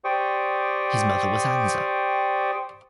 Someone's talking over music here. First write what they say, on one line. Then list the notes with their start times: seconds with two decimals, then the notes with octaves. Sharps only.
His mother was Ansa.
0.05 G4 C5 D5 G5 C#6 D#6